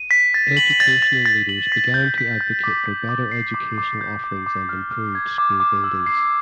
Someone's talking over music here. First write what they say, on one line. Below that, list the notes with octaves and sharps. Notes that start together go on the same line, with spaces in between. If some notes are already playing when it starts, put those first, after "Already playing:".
Educational leaders began to advocate for better educational offerings and improved school buildings.
Already playing: D#7
B6
A6
F#7
A6
A6
A6
F#7
B6
G6
B6
G6
D6
B6
D6
C7
D6
D6
G6
D6
D6
F6
F6
G#6
D6
D6
E6
C7